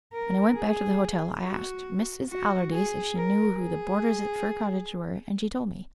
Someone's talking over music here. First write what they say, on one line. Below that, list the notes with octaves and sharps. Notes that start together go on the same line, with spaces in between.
When I went back to the hotel I asked Mrs. Allardyce if she knew who the boarders at Fir Cottage were and she told me.
A#4
G#4
F#4
F#4
G#4
A#4
G#4